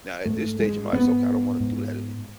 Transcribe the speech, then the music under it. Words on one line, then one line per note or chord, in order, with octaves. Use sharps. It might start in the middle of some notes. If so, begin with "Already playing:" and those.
now at this stage, I'm like, "So, okay, I don't wanna do that anymore."
G#2 A3
G#3
G#2 B3
G#2